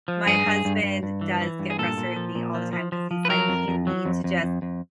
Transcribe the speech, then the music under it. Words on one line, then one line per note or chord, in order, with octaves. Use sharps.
my husband does get frustrated with me all the time 'cause he's like, "You need to just
F3
G2 G#4
G2
G2
G2
G2
E3
E3
G2
G#4
A#2 A4
A#2
F3
A#2
F3
F3
F3
F3
B4
F#3 A#4
F2
F2
F#3
F2
F2
F2
F2